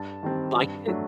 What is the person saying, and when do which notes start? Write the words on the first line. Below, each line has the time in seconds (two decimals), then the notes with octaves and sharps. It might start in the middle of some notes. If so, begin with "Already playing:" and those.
Like it?
Already playing: G2 A5
0.23 D#3 G3 C4
0.56 G2
0.88 F#3 A3 D4